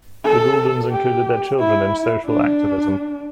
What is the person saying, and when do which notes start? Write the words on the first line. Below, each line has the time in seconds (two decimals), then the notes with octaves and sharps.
The Gouldens included their children in social activism.
0.25 A4
0.91 G4
1.59 E4
2.26 D4